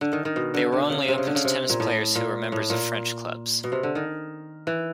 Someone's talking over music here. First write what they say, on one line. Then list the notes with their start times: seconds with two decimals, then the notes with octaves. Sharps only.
They were only open to tennis players who were members of French clubs.
0.01 D3
0.13 D#3
0.25 D#3
0.36 B2
0.54 D3
0.72 D3
0.90 C#3
1.08 C3
1.18 C#3
1.27 D3
1.35 C#3
1.45 C3
1.69 A#2
1.80 A2
2.15 A#2
2.52 A2
2.70 A#2
3.64 B2
3.72 C3
3.83 D3
3.95 D#3
4.67 E3